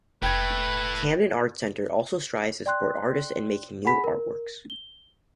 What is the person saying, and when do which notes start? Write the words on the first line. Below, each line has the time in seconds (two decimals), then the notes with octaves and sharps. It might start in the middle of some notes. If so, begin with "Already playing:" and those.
Camden Arts Centre also strives to support artists in making new artworks.
0.23 F1 A3 E4 B4 G5 G#6
2.66 D5 G5 C6 F#6
3.85 G#4 F#5 G#5 B5 B6
4.04 A#4
4.70 G7